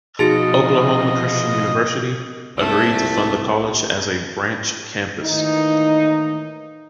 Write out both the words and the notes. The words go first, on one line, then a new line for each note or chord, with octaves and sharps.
Oklahoma Christian University agreed to fund the college as a branch campus.
B2 F3 D#4 F#4 G#4 D#5 A6 C#7
C2 A3
A2 D#3 E3 A#3 D#4